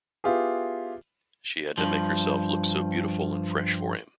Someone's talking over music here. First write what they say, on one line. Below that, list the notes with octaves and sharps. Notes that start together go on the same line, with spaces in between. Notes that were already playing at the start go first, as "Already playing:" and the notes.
She had made herself look so beautiful and fresh for him.
B3 E4 F4 G4 G#4
G2 F3